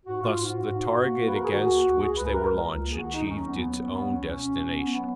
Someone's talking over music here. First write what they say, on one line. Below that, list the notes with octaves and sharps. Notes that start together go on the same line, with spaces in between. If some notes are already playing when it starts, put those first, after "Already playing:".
Thus the target against which they were launched achieved its own destination.
G#2 F#4
G#2 F4
G#2 F#4
G#2
G#2
G#2
A#3
A#3
B4
D#3 A#4
G#4
D#3 F#4
D#2
D#2
C#2 G#4
C#2 B4
C#2 A#4
C#2
C#2
A#3
G#4
D#3 F#4
D#2 D#4
F#3 C#4
D#2 B3
F#3
D#2 C#4
F#3 B3
C#2 C#4
B2 C#4
B2
B3
B3
F#3 B3